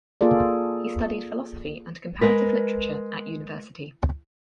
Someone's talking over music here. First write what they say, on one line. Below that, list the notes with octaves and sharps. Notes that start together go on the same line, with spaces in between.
He studied philosophy and comparative literature at university.
A#3 F4 G#4 A4 D5
G#3 A#4 B4